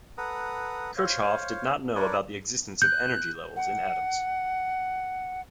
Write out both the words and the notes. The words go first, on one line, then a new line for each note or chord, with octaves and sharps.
Kirchhoff did not know about the existence of energy levels in atoms.
A4 B4 F#5 A#5 D#6
C5 C#5 F5
D4 A#4 B4 C#5 D5
F#6 G6
F#5